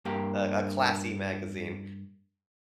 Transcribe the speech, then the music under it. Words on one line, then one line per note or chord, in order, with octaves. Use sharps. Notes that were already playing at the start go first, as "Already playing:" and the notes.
a a classy magazine.
G2 A#3 G4